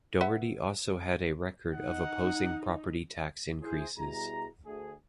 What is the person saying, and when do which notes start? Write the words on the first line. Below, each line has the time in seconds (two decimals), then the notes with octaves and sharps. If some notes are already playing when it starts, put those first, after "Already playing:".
Doherty also had a record of opposing property tax increases.
0.21 B4 E5 F#5
1.74 D#4 F#5
3.62 E4 G#4 C5
3.97 B2 G3 E4 G#4 A#5
4.65 D2 G#4